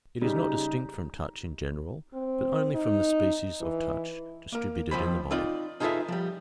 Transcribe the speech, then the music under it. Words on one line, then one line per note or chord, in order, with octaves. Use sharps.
It is not distinct from touch in general, but only from the species of touch distributed in the body.
C#3 G3 D#4
C4
D#4
E3
A#3 A#4
D#2 F3 C4 C5 B5
C4 D#4 F4 D5
D#4 F4 G#4 A4 B4 E5
F3 G3